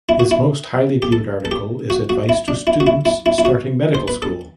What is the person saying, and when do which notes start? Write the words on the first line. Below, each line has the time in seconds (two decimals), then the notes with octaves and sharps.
His most highly viewed article is advice to students starting medical school.
0.09 E4
0.20 F#4
0.31 E4
1.02 G4
1.12 A4
1.45 A4
1.51 G4
1.90 F#4
2.09 F#4
2.29 E4
2.48 D4
2.67 E4
2.80 F#4
2.87 E4
3.05 E4
3.26 E4
3.38 E4
3.45 F#4
3.95 C5
4.08 B4
4.22 A4